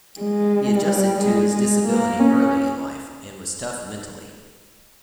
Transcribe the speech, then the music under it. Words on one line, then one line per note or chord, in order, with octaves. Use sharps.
He adjusted to his disability early in life, and was tough mentally.
G#3
G3
G#3
G#3
A#3
C#4